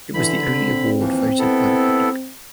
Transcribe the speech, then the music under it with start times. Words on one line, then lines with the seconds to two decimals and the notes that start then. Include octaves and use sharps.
It was the only award voted by the public.
0.14 D3 E3 B5
0.55 C4
1.00 D#2 E3 F3
1.39 B3 E4 A4